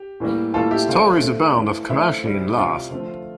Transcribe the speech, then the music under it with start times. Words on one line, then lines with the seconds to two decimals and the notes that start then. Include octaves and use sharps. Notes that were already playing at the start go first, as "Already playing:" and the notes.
Stories abound of Komachi in love.
Already playing: G4
0.20 A2 E3 G3 A#3
0.54 A2 E3 G3 A#3 F4 A4
0.71 E4 G4
0.89 D3 A3 C4 F4
1.23 D3 A3 C4
1.56 E3 A3 C4
1.90 E3 A3 C4 E4
2.24 C3 G3 C4
2.57 C3 G3 C4 F4
2.91 D3 F3 A3 C4